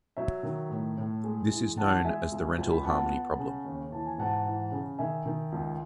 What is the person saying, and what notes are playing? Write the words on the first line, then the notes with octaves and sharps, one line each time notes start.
This is known as the Rental Harmony problem.
F#3 C#5 E5
D#3
A2
A2
G#3
E3
E3 F#5 A5
G#3 E5 G#5
C#2
C#2
B5
B3 F#5 A5
B3
C#3
D#2
E3 A5
G#5
G#2 F#5 A5
E3
C#3
D#3 E5 G#5
D#3
C#2